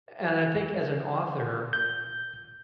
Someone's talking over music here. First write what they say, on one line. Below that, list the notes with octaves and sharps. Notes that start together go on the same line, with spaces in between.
and I think as an author
G6